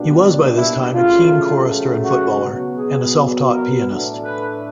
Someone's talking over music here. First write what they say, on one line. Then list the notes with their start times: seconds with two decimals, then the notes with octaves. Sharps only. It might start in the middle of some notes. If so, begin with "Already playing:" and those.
He was by this time a keen chorister and footballer, and a self-taught pianist.
Already playing: B2 G3 A#3 D4
0.55 E4
0.92 C#3 F#3 A3 F4
2.02 F#4
2.39 B2 F#3 B3
2.76 G#4
3.50 A#4
3.87 A2 E3 A3 D4
4.24 B4